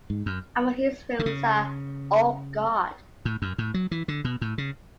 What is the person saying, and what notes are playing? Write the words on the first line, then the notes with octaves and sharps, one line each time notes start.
Among his films are Oh, God!
G#2
F#2
D3
C#3
A2
F#2
A2
F#3
E3
D3
B2
A2
C#3